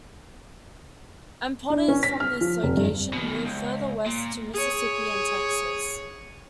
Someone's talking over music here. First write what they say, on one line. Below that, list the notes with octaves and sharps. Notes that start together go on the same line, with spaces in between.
And potters from this location moved further West to Mississippi and Texas.
D4
C#4
B6
F6
F3
F1
G2
B2 D#3
C#2
A#2
G#4 C#5